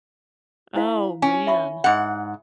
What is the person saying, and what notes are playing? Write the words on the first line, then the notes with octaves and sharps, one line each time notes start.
Oh, man.
E4 C5 F5
C#4 G#5
E5 B5 C#6
G#2 F#5